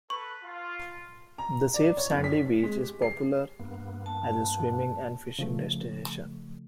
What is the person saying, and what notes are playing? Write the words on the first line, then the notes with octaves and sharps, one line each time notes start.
The safe sandy beach is popular as a swimming and fishing destination.
A4 B4 C#6
F4
A#5
D5
C#5
F#1
B6
G#3
G4
C7
G2 A#3 B3
A5
C#3 F3 A3